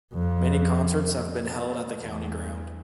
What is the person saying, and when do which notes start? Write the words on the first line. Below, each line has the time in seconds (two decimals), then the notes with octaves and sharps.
Many concerts have been held at the County Ground.
0.13 F2
2.02 E2